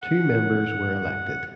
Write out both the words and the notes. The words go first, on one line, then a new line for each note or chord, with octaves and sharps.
Two members were elected.
F#5